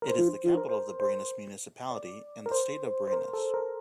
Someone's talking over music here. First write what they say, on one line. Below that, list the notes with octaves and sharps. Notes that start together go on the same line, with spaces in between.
It is the capital of the Barinas Municipality and the State of Barinas.
A#4
C5
A#4
C5
C5
D5
A#4
C5
C5
A#4
A4
A#4